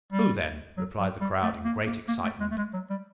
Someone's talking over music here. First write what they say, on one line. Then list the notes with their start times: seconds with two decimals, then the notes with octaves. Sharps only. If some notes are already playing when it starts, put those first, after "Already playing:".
"Who, then?" replied the crowd in great excitement.
0.12 G3
0.77 F#3
1.00 F#3
1.21 G3
1.43 A3
1.65 A#3
1.86 A#3
2.08 A#3
2.24 A3
2.41 G#3
2.51 A3
2.57 G#3
2.74 F#3
2.90 G3